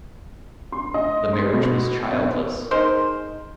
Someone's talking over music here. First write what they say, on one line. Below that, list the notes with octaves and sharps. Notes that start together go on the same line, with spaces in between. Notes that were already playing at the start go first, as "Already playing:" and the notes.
The marriage was childless.
C6
D#5
C6
B2
B1
D#4 G#4 A#4 C5